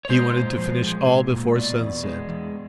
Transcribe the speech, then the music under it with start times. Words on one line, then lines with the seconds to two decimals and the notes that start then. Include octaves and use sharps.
He wanted to finish all before sunset.
0.05 C#5
0.09 G#3 C5
0.34 A#2
0.58 F3
0.82 G#3
1.06 A#2
1.31 A#2
1.55 B2 D5
1.79 E2
2.03 G#3
2.28 E2